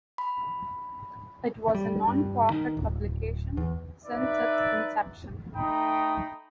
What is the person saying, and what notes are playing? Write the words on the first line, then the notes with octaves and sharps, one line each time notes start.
It was a nonprofit publication since its inception.
B5
G3
G2
D#3
D1
E2
D#4 B4 D5 E5
A3 D#4 G5 A#5 B5 D#6